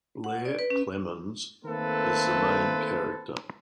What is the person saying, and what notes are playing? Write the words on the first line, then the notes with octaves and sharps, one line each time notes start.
Blair Clemmons is the main character.
F#5
D5
B4
C#4
D#3 A3 A#3 C4 A4 B4